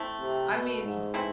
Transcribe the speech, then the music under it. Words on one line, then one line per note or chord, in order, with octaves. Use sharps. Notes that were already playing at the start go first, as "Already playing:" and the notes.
I mean y
Already playing: A3 C4 E4
C3
B2
G#2
E3 A3 C4 E4